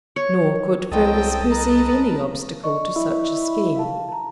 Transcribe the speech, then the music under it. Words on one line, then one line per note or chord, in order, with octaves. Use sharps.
Nor could Fergus perceive any obstacle to such a scheme.
C#5
C2 B2 F#3 C4 A4 D#5 G5
A#4 B4 A5 A#5
D5 D#5 C#6
E4
F5 A5
A5 A#5